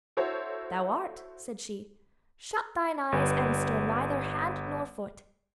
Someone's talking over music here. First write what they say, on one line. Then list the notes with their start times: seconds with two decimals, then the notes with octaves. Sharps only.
'Thou art,' said she; 'shut thine eyes and stir neither hand nor foot.'
0.17 E4 F#4 A4 C5 C#5
3.12 G1 G3 B4